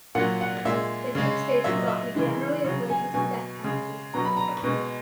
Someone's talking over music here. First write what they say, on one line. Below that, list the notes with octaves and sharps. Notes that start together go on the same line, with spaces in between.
Begich stated that he generally opposes the death penalty.
A#2 F#3 F#5
F#5
A#2 G#3 E5
C#3 G#3
A#2 F#3 E5
D#5
E5
C#3 E3 G#3
C#3 F#3
G#5
B2 F#3 G#5
C#3 G#3
B2 F#3 A#5
B5
A#5
B2 G#3